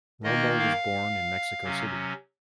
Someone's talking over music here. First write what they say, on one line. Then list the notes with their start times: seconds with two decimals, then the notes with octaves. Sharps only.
Romo was born in Mexico City.
0.23 D#3 A#3 D#4 D#5
0.59 F5
1.64 C3 F#3 C#4